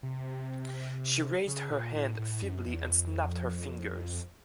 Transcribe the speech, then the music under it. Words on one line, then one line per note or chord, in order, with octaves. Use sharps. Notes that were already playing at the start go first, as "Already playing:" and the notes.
She raised her hand feebly and snapped her fingers.
C3
C#3
A#2
A2
A2
F#2
E2
F2